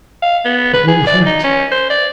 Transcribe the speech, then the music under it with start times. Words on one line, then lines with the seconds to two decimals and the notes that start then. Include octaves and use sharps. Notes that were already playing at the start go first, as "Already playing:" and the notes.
"What little fact?"
0.22 F5
0.45 B3
0.74 B4
0.88 G#4
1.07 D5
1.26 D#4
1.44 C#4
1.72 C5
1.90 D5